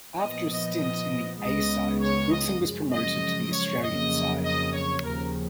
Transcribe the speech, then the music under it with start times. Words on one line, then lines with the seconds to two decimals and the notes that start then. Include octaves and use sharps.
After a stint in the 'A' side, Wilson was promoted to the Australian side.
0.19 A#2 F3 B3 D#5
0.50 D#5
1.40 C#2 C#3 G#3 B3 D#5
2.00 C#5
2.30 D#5
2.60 F#2 C#3 F3 G#3
2.91 D#5
3.52 C#5
3.82 F2 C#3 F#3 A#3 D#5
4.43 D#5
4.73 C#5
5.04 D#2 C#3 F3 A#4